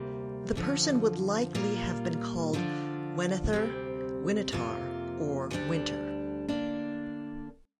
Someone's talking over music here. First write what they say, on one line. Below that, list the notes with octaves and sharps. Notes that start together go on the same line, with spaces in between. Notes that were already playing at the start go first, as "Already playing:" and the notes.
The person would likely have been called "Wenether", "Winitar" or "Winter".
Already playing: D2 C3 G3 A#3
F2 D3 F3
A#2 G3 A#3 F4
D3 F3 D4 F4
D2 C3 G3 C4
F2 C3 A#3 F4
D2 D3 G3 D4
D3 A#3 D4